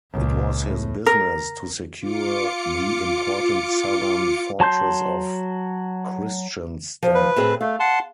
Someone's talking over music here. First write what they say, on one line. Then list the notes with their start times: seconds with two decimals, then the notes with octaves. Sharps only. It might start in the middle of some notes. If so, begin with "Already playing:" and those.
It was his business to secure the important southern fortress of Kristianstad.
0.12 C#2 A#2
0.63 A2
1.06 A#4
2.00 F4 D6 C#7
4.60 F#3 A5 C6 G6
7.03 F3
7.14 B4
7.36 A2 C4 G#4
7.61 A3 F5
7.80 F#5 A5 C6